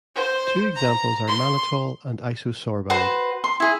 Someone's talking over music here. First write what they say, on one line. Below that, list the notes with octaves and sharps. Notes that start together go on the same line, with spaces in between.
Two examples are mannitol and isosorbide.
C5
A#5
C6
F#4 B4 C5
C6
E4 G#4